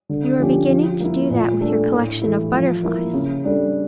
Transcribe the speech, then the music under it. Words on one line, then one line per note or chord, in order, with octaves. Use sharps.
You are beginning to do that with your collection of butterflies.
D3
F3 C#4 G4
F3
A#3 E4
A#2
A3 D4 A4
A2
E3 A3 E4
F3
A#3 E4 A#4
C#3
G3 D4 A4